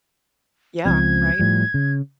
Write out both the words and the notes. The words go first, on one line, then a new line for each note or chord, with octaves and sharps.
Yeah, right?
C#2 F3 C4 G#6
A2 F3 G3
C#3